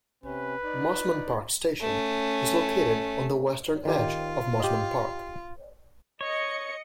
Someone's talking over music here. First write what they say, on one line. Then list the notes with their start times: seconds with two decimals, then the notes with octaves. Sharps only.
Mosman Park station is located on the western edge of Mosman Park.
0.24 C3 C#4 B4
0.64 D#4 D5
1.81 A3 C#4
3.85 D#3 F4 G4
4.60 G4 D#5
6.21 C#5 D#5 C#7